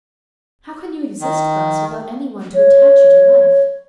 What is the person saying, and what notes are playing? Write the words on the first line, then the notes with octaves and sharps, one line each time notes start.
"How can you exist thus without any one to attach you to life?"
D#3
C#5